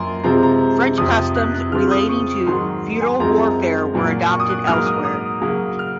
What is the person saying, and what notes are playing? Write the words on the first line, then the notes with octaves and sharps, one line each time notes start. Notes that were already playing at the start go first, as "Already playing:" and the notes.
French customs relating to feudal warfare were adopted elsewhere.
Already playing: F#2 F3 A#3 G#5 A#5 C6
C3 F3 G#3 C4 A#5
A#5
F2 C3 F3 D#6
F#6
F#6
C#3 F3 C4 F6
D#6
C#6
G#2 D#3 F#3 C6
G#5
F#2 F3 G#3 C4 A#5
A#2 F#3 A#3
C#6
D#6
F#6
G#2 F#3 A#3 F6
D#6
D#6
C#3 F#3 A#3
F6